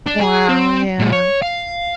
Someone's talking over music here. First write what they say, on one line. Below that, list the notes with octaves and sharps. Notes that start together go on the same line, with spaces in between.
Wow, yeah.
D4
G#4
C4
A#2 G#3
C#5
F5